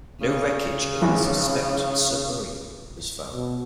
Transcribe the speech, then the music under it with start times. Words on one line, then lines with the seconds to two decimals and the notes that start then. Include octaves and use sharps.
No wreckage of the suspected submarine was found.
0.21 C#3
1.02 G#1 E3
3.34 B2